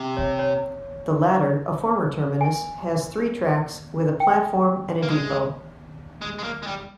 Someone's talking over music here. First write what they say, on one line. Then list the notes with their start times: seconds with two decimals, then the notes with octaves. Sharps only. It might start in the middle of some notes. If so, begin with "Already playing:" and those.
The latter, a former terminus, has three tracks with a platform and a depot.
Already playing: C3
0.17 C#5
0.39 C#5
2.41 G#5
4.20 G5
5.03 A#3
5.09 G#3
6.22 G#3
6.39 G#3
6.44 A#3
6.63 G#3
6.67 G3